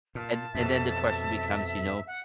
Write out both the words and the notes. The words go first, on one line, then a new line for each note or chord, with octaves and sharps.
and and then the question becomes, you know,
A#2 A5
F2 B2 E5
F#5